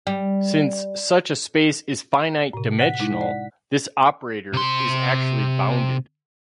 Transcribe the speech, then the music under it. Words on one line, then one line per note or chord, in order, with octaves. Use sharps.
Since such a space is finite-dimensional, this operator is actually bounded.
G3
A2 C3
F#5 B6
G#3 D#4 E4
D5
C3 C6